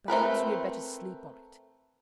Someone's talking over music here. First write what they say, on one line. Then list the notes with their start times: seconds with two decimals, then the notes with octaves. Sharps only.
Perhaps we had better sleep on it.
0.08 A3 C4 A#4 B4